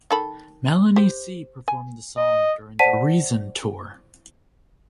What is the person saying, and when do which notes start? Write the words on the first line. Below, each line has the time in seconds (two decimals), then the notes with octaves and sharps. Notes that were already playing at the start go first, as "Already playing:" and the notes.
Melanie C performed the song during the Reason Tour.
0.11 D#3 A4 B5
0.96 G4 C5
1.68 G#5
2.17 D#5
2.79 C5 D5 F#5 A5 B6 D#7